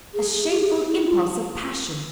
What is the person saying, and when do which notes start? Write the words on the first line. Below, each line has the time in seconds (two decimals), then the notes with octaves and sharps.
A shameful impulse of passion.
0.14 G#4
0.33 G#4
0.50 G4
0.61 G4
0.68 G#4
0.87 E4
1.05 F4